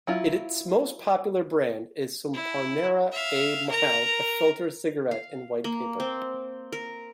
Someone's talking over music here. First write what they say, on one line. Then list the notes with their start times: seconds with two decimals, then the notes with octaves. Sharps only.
Its most popular brand is Sampoerna 'A' Mild, a filter cigarette in white paper.
0.07 F#3 E4 F4
2.34 E4
3.12 E5 F5
3.69 A#4 A#5
5.11 F5
5.64 A#3
6.00 C4
6.72 A#4